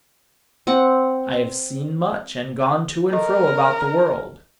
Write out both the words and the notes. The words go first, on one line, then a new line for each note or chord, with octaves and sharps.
I have seen much, and gone to and fro about the world.
C4 F#5
G4 A4 A#4 D#5